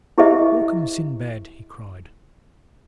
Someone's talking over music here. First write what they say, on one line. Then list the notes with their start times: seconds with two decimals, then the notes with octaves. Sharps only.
"Welcome, Sindbad," he cried.
0.18 E4 G4 G#4 C5 D#5 E5